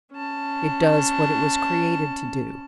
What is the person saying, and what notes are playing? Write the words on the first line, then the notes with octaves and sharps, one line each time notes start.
It does what it was created to do.
C#4 A5